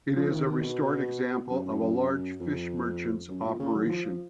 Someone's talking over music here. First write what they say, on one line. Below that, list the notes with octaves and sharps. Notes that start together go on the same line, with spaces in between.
It is a restored example of a large fish merchant's operation.
F3
D#3
D#3
B2
F#2
F#2
F#2
F2
F#2
A#2
C#3
F#3
D#3
F3
F3